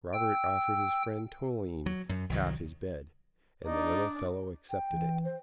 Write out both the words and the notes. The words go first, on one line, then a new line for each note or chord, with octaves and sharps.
Robert offered his friend Toline half his bed, and the little fellow accepted it.
G5 E6
F#3
F#2
C2 D#3 F#3
D4 D#4 D5
G5
E3
C5